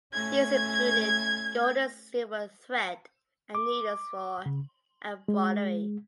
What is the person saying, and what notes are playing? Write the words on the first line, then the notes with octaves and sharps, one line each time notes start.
These included gold and silver thread and needles for embroidery.
A3 C#4 G#6
D6
C#3
G#3